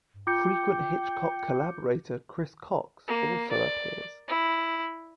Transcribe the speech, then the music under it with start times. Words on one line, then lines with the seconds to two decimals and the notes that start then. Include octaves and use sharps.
Frequent Hitchcock collaborator Chris Cox also appears.
0.27 F4 G5 D6 G6 C#7
3.08 A#3
3.51 D5
4.28 E4